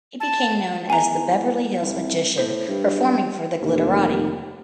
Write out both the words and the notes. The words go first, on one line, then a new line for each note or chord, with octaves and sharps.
He became known as the "Beverly Hills Magician" performing for the Glitterati.
A5
E2 G#5 A#5
C2
A2 C5
G2
F1 D#2